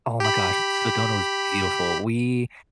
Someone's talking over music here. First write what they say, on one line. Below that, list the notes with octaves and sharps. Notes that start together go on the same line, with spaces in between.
Oh my gosh, Sedona was beautiful, we
G4 B5